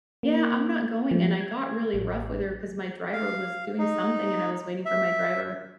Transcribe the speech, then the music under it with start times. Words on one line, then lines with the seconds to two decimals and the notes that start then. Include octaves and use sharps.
"Yeah, I'm not going," and I got really rough with her 'cause my driver was doing something and I was waiting for my driver.
0.23 A#3
1.11 F3
1.41 G#6
1.94 A1
3.13 F5
3.79 D#4
4.85 E5